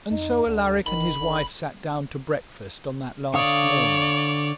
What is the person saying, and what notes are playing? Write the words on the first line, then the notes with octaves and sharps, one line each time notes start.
And so Alaric and his wife sat down to breakfast on that last morning.
F2 D#4
D2 D3
F#1 D#3 B5
G1 D3
D3 C#5 D5 F5 D#6